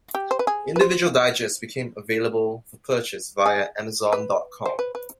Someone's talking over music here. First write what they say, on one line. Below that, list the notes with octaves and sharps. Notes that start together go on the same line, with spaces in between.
Individual digests became available for purchase via amazon dot com.
G4
C5
B4
G#4
B4
C5
G#4
B4
C5
B4
B4